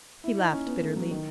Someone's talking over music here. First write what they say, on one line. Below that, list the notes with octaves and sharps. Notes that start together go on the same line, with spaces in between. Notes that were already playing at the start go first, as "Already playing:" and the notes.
He laughed bitterly.
E4
D#4
C#4
B3
A3
F#3
D#3